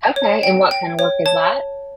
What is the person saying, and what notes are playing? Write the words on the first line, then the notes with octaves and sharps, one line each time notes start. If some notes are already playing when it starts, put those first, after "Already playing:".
Okay, and what kind of work is that?
C#5
G5
G5
C#5
C#5 A5